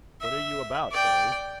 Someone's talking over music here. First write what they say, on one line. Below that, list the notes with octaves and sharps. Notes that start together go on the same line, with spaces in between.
"What are you about, Harry?"
E5
D5 G5